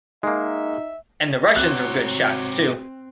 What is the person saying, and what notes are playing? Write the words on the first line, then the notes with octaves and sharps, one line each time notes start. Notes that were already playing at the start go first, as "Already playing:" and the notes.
And the Russians were good shots too!
G#3 A#3 D#4 E5
G#2 C3 C4 F#4 C#5 F#6